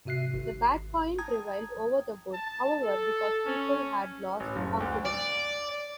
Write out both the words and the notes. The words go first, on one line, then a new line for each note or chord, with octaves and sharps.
The bad coin prevailed over the good, however, because people had lost confidence.
G#2 C3 F#4 E5 F#6 C7
G#1
G5 A5 A#5 D#6 G#6
A5
A4
C#4
A1
F#1
D2
D5